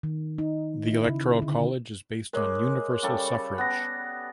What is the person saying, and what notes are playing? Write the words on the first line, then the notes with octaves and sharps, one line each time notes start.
The Electoral college is based on the universal suffrage.
D#3
D#4
E4
C#3
D3
G#3 A#4 C#5 D6
C#3 G3 A4
B3 F#6 A#6